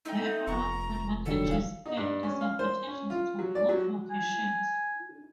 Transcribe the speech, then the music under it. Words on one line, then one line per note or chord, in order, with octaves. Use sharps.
There are advantages and disadvantages to both locations.
A3 D#4 G5
F1 A#5 C#6
G2 D#3 F#3 A4
E1 G#4 F5
D#4
G2
C#4
F5
C5
C#4
F4
F#3
D5
F#3
G#5